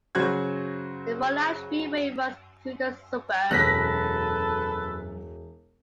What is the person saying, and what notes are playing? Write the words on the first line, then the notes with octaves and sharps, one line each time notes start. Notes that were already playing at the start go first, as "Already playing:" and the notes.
The Monash Freeway runs through the suburb.
C#3 F#3 F#4 C5 F#6 G#6
E1 F#2 A4 B4 F#6 A#6 B6